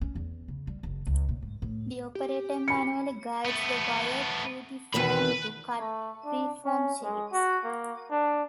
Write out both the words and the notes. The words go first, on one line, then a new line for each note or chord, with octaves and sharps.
The operator manually guides the wire through the foam to cut freeform shapes.
C#4
E2
C#3
G3
F#1
C#2
A#2
G#2
A2
G4
B5 C#7
A3 B3
E2 B2 D#3 B4 B5
A3
D4
C#4
G#3
F#4
A#3
D4